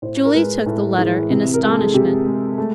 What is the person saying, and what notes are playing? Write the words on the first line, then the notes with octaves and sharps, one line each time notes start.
Julie took the letter in astonishment.
A2 C5
A#4
G#3 B4
A2 A4
E3 G#4
C3
A#4
G#3
A4
G#4
C3 G4
G#3
A3